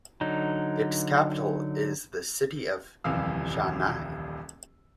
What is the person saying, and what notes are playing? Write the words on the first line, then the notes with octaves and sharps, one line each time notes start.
Its capital is the city of Chania.
D3 F#3 D#4
D#1 C2 F2 E3 F5 E6